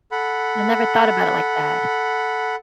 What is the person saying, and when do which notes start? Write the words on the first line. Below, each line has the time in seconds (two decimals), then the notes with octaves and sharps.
I never thought about it like that.
0.12 A4 F#5 B5